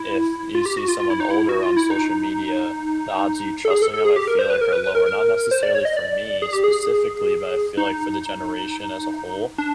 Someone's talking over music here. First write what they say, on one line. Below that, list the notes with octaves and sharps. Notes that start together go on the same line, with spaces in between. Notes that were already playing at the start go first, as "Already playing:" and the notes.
if you see someone older on social media, the odds of you trusting them, I feel like, are lower. Not necessarily for me specifically, but I feel like for the generation as a whole,
Already playing: E4
F4
G4
F#4
F4
F4
E4
D#4
E4
F#4
F4
E4
D#4
A4
G#4
A4
A4
G#4
G4
A#4
C5
B4
A#4
B4
B4
A#4
A#4
C5
D5
C#5
D#5
D5
G#4
G4
G#4
D#4
D4